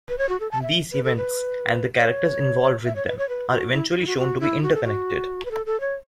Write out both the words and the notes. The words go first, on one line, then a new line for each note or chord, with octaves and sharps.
These events-and the characters involved with them-are eventually shown to be interconnected.
B4
C#5
F#4
A4
A5
E5
B4
A4
B4
C#5
E5
C#5
B4
C#5
B4
F#4
E4
F#4
E4
F#4
F#4
E4
F#4
A4
F#4
B4
A4
A4
C#5